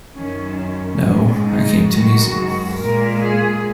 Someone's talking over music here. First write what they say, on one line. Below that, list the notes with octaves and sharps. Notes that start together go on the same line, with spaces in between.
No; I came to amuse you.
F#2 D#3 F#3 C#4
C#4
G#2 G#3
D#4
F#2 D#3 G#3 F#4
A#2 G#3 A#4
G#4